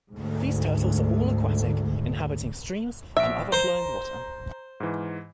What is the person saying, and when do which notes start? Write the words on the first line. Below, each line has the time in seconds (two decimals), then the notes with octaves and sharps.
These turtles are all aquatic, inhabiting streams and other flowing water.
0.12 D2 G#2
3.17 A#1 E5 D7
3.52 C5 A#5
4.80 G#2 E3